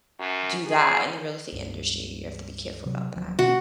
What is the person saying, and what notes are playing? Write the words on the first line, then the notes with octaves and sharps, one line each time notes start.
do that in the real estate industry, you have to be careful about that.
F#2
G#4
C#2 G2
C3 F#3
D1 F3 F#3
B2 A#3 C#4 F#4